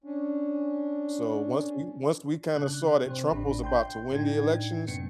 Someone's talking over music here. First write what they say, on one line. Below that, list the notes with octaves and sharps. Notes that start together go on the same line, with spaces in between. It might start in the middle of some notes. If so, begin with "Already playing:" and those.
So, once we once we kinda saw that Trump was about to win the elections,
C#4 D4
C#3 D4 F#6
C3 G4 C5
A1 D4 B5
G5 C6 G6
A2 D4 D#4 G5 G#6
F#2 C3 B3 C#7